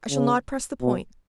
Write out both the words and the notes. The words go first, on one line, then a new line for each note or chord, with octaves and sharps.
I shall not press the point.
C#3
B2